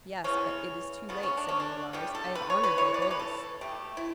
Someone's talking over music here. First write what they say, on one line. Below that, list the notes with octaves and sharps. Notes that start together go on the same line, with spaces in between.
"Yes, but it is too late," said Danglars, "I have honored their bills."
C#3 E3 B3 C#4
C#3 F#3 A3 B3
C#4
D4
C#4
D4
C#3 G3 B3 G4
A4
B4
C#5
B4
E3 B3 C#5
D5
C#5
B4
A4
B2 A3 G4
E4